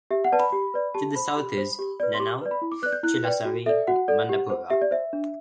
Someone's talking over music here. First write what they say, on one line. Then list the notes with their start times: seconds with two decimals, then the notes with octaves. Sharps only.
To the south is Nannau, Chilasari, Mandarpura.
0.11 G4 E5
0.24 F#5
0.32 B4 D5 A5
0.39 B5
0.53 G4
0.74 B4 D5
0.95 G4 A5
1.16 C5 B5
1.36 G4
1.58 C5
1.79 G4
2.00 B4 D5
2.14 C6
2.20 G4 D6
2.41 B4 D5
2.51 B5
2.62 E4
2.72 D6
2.82 B4 D5 F#6
2.92 G6
3.03 E4 F#6
3.24 B4 D5 G5
3.45 F#4
3.66 A4 D5 E5
3.87 F#4 F#5
4.08 A4 D5
4.29 G4
4.50 C5
4.70 G4 E5
4.82 D5
4.91 C5 E5
5.13 D4